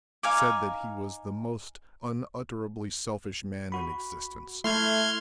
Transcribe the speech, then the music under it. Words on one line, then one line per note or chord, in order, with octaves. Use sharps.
He said that he was the most unutterably selfish man in existence.
D#4 F5 G#5 D6
F#4 B5
A3 E4 C6 F6 G#6